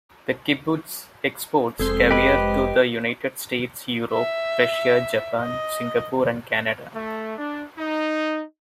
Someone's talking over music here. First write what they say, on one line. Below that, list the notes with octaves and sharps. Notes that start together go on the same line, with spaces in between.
The kibbutz exports caviar to the United States, Europe, Russia, Japan, Singapore and Canada.
F1 G#3 C4 A4 C5
G4 B4 D#5
E5
D#5
A3
D4
D#4